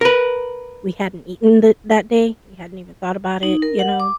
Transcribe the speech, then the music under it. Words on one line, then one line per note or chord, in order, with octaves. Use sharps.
we hadn't eaten th that day, we hadn't even thought about it, you know?
A#4 B4
D#4
A#4
F#5
D6